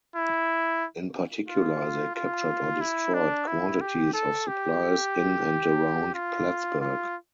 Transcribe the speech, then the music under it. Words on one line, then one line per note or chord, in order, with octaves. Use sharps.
In particular, they captured or destroyed quantities of supplies in and around Plattsburgh.
E4
F4
F4
E4
D4
E4
G4
A4
G4
F4
F4